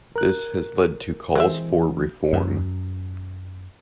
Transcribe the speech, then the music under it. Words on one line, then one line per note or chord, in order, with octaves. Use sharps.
This has led to calls for reform.
A#4 F#6
E3 G#3 C4 E5
F#2